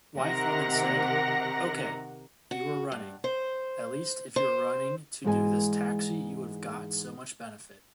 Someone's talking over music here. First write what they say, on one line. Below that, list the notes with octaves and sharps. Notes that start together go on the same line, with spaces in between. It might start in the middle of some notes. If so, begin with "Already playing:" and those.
Wife/Woman said: Okay, you were running, at least if you were running to this taxi you would have got so much benefit.
C3 D#3 A#4 F#5 A#6
F#4
G2
C5
C5
G#2 E3 G#3 A4 D#5 G#5